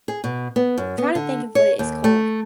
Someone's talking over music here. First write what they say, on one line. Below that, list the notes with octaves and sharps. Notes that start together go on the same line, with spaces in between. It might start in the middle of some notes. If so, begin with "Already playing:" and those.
trying to think of what it is called.
G#4
B2
B3
F#2
B3
D3
C#5
D#2
A3